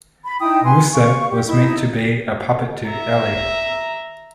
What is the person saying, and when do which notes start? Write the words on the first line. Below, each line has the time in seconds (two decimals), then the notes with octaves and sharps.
Musa was meant to be a puppet to 'Ali.
0.25 B5
0.40 D#4 E4 G5 D#6
0.64 B4 G#5 C6
0.93 F5 C#6
1.30 G4
1.47 D#4 E4
2.88 E5 A#5